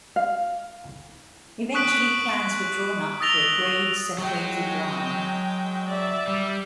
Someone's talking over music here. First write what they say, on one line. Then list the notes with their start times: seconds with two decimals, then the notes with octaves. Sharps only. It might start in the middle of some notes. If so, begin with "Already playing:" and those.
Eventually plans were drawn up for a grade-separated line.
0.16 F5
1.74 C#6 D#6 F#6 B6 D7 F#7
3.20 D#6 E6 A6 A#6 F7 G7
4.18 F#3 G#3 G5
5.88 D5 E5
6.28 G3